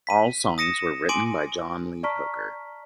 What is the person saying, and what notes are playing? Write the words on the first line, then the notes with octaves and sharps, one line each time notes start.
All songs written by John Lee Hooker.
B6 D#7
D#6 A#6 C#7 D#7 E7
G#5 C6 D6 D7 D#7 F#7
D5 A5 A#5 C#6 F6 B6